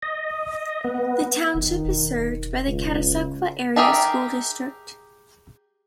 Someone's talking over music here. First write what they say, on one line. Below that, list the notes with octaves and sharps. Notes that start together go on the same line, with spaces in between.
The Township is served by the Catasauqua Area School District.
D#5
B3
F1 D#3
E1
C#2
G4 G#4 A#4 E5 A5